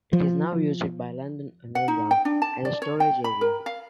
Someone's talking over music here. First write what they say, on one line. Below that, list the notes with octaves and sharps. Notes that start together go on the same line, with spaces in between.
It is now used by London Underground as a storage area.
F3
F#5
D#4
G5
D4
A5
D5
C#5
G5
B5
A#4
F5